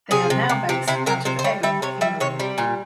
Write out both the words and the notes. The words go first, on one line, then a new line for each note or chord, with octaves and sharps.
They are now based out of Egham, England.
C3 G#4
C3
C3
C3 G4
C3 E4
C3 A#4
C3 C5
C5
G3 C#5
G3 E5
C3 C#5
G3 E5
C3 C#5
G3 G4
A#2 F4